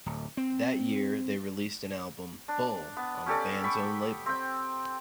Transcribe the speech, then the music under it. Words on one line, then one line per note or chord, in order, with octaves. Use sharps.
That year they released an album, "Bull" on the band's own label.
D1
C4
D4
B3
C#4 G4 A4 D5
A5 B5 C#6 D6
C4 G5